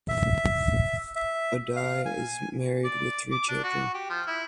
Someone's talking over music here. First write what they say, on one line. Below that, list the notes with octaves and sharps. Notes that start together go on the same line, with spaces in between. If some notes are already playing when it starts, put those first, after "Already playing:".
Addai is married with three children.
E5
E5
F5
G#5
D5
D6
D4
F#4
G4
F3
E4